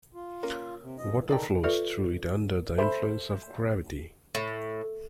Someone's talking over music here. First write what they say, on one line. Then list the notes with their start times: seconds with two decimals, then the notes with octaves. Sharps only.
Water flows through it under the influence of gravity.
0.14 F4
0.43 A#3 C#4 A#4
0.81 C3
0.98 F2 B2 D#5
1.29 D#3 D#4 G#4 A4 D5 G5
1.64 F4 A4 B4 D5 E5
2.78 A4 C5 E5 B5
4.35 A2